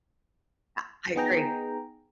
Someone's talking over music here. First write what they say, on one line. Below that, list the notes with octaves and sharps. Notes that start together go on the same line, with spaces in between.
I I agree.
B3 D#4 G#4 G5 A#5